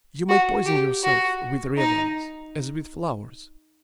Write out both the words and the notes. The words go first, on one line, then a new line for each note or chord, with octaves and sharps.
You may poison yourself with reveries, as with flowers.
F#4
G4
F#4
D#4